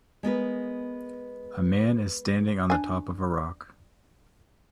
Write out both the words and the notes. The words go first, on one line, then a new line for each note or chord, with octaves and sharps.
A man is standing on the top of a rock.
G#3 B3 A#4 B4
D4 G#5